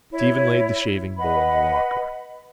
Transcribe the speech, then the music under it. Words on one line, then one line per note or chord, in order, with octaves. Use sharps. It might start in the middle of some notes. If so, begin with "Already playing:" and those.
Stephen laid the shavingbowl on the locker.
E4 C#5
B4 D#5 F#5 B5